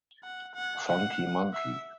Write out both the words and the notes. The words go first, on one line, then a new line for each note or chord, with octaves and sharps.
Funky monkey.
F#5
F#5
F#5
E5